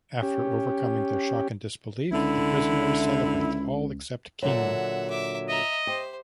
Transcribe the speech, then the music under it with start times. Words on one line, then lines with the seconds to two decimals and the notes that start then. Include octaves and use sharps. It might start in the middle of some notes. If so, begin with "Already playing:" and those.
After overcoming their shock and disbelief, the prisoners celebrate - all except King.
0.22 C#4 G4
2.12 C#2 D3 E4
4.42 A#2 D3 F#3 E5 F#5
5.10 E5 D6
5.49 D#5 E5 A#5
5.87 G4 C5